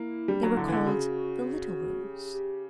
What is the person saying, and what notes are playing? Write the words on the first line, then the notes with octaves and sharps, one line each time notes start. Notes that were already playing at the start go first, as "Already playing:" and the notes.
They were called "The Little Rooms."
Already playing: A#3 E4
G3 D4
F#3
D4
D3 E4
E3
D3
C#3 F#4
G4
G4